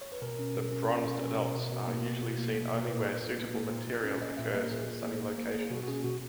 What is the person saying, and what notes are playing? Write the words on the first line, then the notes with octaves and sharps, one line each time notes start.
The bronzed adults are usually seen only where suitable material occurs in sunny locations.
C#5
B4
B2 A#4
C#4
B2
C#4
C#4
B2
C#4
B2
B2
B2
A#3
B2
B2
A#3
B2
A#3
A#4
A#2 B4
A#2
A#2
A#2
A#3
A#2
A#2
C#4
C#4 D#5
A#2 E5
A#3 D#5
A#4
A#2 G#4
A#2
A#3
A#3
A#3
A#3 G#4
B2 F#4
F#4
C#4 G#4
B2 F#4